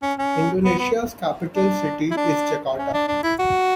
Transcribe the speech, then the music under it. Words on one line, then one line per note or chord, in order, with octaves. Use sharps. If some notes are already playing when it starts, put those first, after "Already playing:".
Indonesia's capital city is Jakarta.
C#4
C#4
B3
B3
D4
E4
D4
C#4
D4
D4
E4
F#4